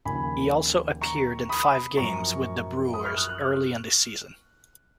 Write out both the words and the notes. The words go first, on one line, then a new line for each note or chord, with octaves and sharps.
He also appeared in five games with the Brewers early in the season.
D#2 C#3 F3 G#5 B5
A#5 C#6
B5 D#6
F#2 F3 A#5 C#6
B5 D#6
C#6 F6
D#6 F#6
D#6 F#6
C#6 F6